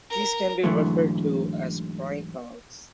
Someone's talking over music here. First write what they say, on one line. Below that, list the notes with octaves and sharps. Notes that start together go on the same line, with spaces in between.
These can be referred to as brine ponds.
A#4
G#2 D3 E3 F#3 G#3 A3